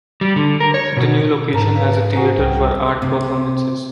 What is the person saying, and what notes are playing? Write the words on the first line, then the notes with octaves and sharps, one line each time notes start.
The new location has a theater for art performances.
G3
D3
A#4
C#5
B2
G#2 A#4 A5
B4 F5
F#4 G#4 C5 A#5
C2 G5
C3